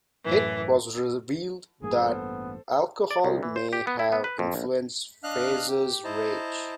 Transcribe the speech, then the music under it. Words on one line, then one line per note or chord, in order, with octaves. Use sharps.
It was revealed that alcohol may have influenced Fraser's rage.
F#2 A2 E3
A1 G2 A#3 G#4
B3 A4 C5
D5
C2
E3
C5
G4
B3
E4
B3
B4
F2
A#1
D4 D#5 F5 F6 F#6
G4
E4 C5 D#5 A5 A#5